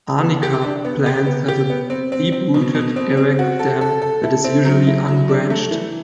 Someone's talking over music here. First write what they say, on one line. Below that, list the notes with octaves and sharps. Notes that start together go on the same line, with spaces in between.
"Arnica" plants have a deep-rooted, erect stem that is usually unbranched.
B3
G4
D4
B3
G4
B3
G4
B3
C4
C4
C4
B2
B2
C4
C4
F#4
A4
A4
A4
E4
C4
F#3
E4
F#3
D4
A3
E3